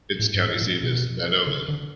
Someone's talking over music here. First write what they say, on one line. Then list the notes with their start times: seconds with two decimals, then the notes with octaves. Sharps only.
Its county seat is Mahnomen.
0.19 A2
0.34 G2
0.40 G#2
0.62 A#2
0.83 B2
1.47 C#3
1.68 D3